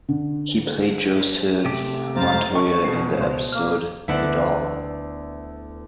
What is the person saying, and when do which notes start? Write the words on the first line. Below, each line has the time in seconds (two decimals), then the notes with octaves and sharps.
He played Joseph Montoya in the episode "The Doll".
0.09 D3
1.65 C3 A3 G4
2.16 F2 G#3 C5 F5 A#5 A6
2.55 D#5 A5 C#6
2.85 B2 C7
3.19 C#2 C5
3.52 A#3 F6
4.08 D2 B3 E4 D5 F#5